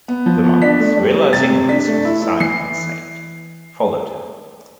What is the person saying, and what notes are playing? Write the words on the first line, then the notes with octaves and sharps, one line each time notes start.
The monks, realising that this was a sign from the saint, followed her.
B3
F3
B3
D4 B6
A3
G3
G3
C3 A6
C3
D4 B6
A3
E4
E4
E3 C7